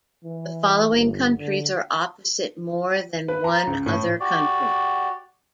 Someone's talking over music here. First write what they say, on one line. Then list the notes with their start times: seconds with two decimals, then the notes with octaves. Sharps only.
The following countries are opposite more than one other country.
0.24 E3
0.93 G1
1.38 D3
3.28 B4
3.44 A#5
3.67 C#2
3.86 A2
4.20 F#4 G4 D5